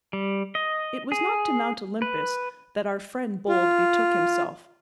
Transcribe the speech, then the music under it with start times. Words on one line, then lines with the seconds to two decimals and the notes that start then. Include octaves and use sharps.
It was not to Mount Olympus that our friend Bold betook himself.
0.13 G3
0.55 D#5
1.12 G#4
2.02 B4
3.49 F4